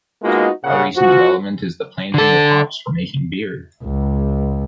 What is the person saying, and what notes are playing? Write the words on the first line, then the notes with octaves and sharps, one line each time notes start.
A Recent development is the planting of hops for making beer.
G#3 A#3 B3 D#4 F4 F#4
A#2 C#3 F#5
F3 F#4
D3 A4
C#2